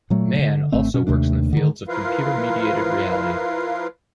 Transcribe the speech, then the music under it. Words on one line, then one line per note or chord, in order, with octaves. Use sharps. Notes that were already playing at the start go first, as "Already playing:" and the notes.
Mann also works in the fields of computer-mediated reality.
A#2 F#3 A3
D3
G#1 A3 C4
B2 C#4
D#2 C3 A3 D4
D3 D#3
F3 E4 F4 A#4 B4 F5